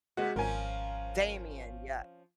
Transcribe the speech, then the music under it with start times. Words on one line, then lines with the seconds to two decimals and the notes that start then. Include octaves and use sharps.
Damien. Yep.
0.17 C3 G#3 F#4
0.36 G#1 F3 C#4 F4 A#4 G#5